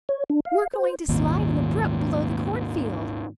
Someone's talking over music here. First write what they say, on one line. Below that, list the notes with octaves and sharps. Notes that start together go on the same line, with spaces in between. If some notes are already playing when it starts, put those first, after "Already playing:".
"We're going to slide on the brook below the cornfield."
C#5
D4
F5
C5
G#1 D#2 A#2